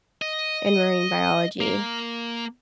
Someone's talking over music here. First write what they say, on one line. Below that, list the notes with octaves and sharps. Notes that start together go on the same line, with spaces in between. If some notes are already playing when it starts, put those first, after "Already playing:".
in marine biology,
D#5
A#3